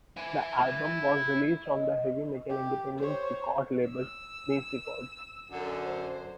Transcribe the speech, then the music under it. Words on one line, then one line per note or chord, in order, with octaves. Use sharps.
The album was released on heavy metal independent record label, Neat Records.
E4 G#5
D#5
G4
C5 C#5
E6
F#2 D3
C5